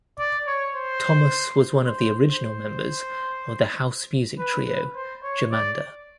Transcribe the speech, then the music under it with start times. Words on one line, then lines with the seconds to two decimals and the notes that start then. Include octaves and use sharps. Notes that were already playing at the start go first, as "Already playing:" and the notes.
Thomas was one of the original members of the house music trio, Jomanda.
0.19 D5
0.47 C#5
0.75 C5
1.87 C5
2.29 C5
4.39 B4
4.67 B4
4.95 C5
5.23 C#5
5.52 D5